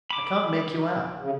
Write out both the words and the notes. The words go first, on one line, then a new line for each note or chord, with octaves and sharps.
I can't make you out.
B5 D6
C#3